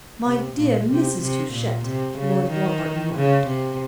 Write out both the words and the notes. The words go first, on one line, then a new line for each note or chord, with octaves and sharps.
"My dear Mrs. Touchett!" Lord Warburton murmured.
C3
A#2
C3
C3
A#2
C3
C#3
D#3
C#3
C3